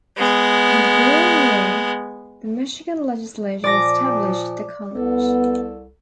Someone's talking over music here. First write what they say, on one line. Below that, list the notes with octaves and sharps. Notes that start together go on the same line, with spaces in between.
In the following year the Michigan Legislature established the college.
G#3 B3
A#2 F3 D5 D6 A#6
C2 B3 A4